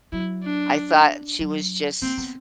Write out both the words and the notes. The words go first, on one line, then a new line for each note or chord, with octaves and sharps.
I thought she was just
F#3 E4
D4
F#3
A#3 C4
B3